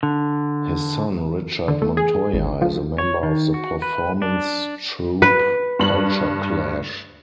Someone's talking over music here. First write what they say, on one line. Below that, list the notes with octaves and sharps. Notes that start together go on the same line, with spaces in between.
His son Richard Montoya is a member of the performance troupe Culture Clash.
D3
D3
A3
G#4
G#1
F3
C#5
D#3
F#4
B4
D4
B4
G2 F#7